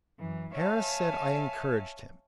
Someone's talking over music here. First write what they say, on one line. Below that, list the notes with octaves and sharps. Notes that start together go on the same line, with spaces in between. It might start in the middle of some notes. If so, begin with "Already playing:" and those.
Harris said I encouraged him.
F#2 E3
C#5 E5 F5 G#5 A5